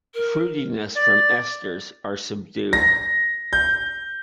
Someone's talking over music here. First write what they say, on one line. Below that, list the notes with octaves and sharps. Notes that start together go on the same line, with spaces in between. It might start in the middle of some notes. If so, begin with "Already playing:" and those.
Fruitiness from esters are subdued.
A#4
D5
A#6
G6